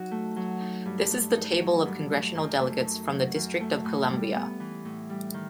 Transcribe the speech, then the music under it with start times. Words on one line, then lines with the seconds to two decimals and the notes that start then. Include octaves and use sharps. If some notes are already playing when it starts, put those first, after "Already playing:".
This is the table of congressional delegates from the District of Columbia.
Already playing: F#3 D#4 F#4
0.11 A3
0.36 F#3
0.60 D#4
0.86 G2
1.11 A3
1.36 D#4
1.61 F#3
1.85 G2
2.11 A3
2.35 F#2
2.60 A3
2.85 D#4
3.10 F#3
3.35 F#2
3.60 A3
3.85 A2
4.10 G3
4.35 B3
4.60 E3
4.85 A2
5.09 G3
5.34 D#3